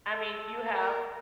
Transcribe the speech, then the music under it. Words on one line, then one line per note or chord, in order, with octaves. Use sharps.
I mean, you have
A4
A#4